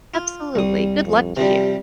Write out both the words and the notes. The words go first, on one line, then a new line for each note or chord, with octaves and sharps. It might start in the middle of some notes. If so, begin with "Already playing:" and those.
Absolutely, good luck to you.
F4
C2 G3 D#6
F2
C3 F3 G3 G4